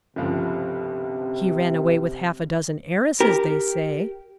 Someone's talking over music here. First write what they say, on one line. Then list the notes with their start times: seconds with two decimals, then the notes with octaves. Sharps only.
He ran away with half-a-dozen heiresses, they say.
0.16 G1 C#2 C3 F3
3.20 G4 A#4